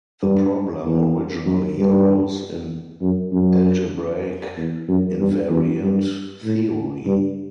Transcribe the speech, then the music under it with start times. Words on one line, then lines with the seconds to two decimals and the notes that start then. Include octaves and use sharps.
The problem originally arose in algebraic invariant theory.
0.22 G2
0.84 E2
1.46 F#2
1.78 G2
3.02 F#2
3.32 F#2
4.57 E2
4.88 F#2
5.18 G2
5.50 E2
5.81 G2
6.44 A2
7.06 G2